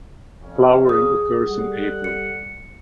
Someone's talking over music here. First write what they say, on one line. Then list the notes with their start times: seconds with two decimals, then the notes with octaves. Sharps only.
Flowering occurs in April.
0.42 F2 C#4
0.87 G#4 D#6
1.45 G3 A4 F#5
2.04 C#7